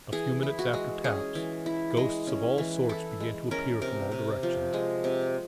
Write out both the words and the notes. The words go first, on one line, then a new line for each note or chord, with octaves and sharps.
A few minutes after taps, ghosts of all sorts began to appear from all directions.
E3 G#4
E4
F#4
G#3
C#4 G#4
E3
E4
G#3
C#4
E3
E4 A4
G#3
C#4 A#4
C3 A#4
C3
F3
G#3
C3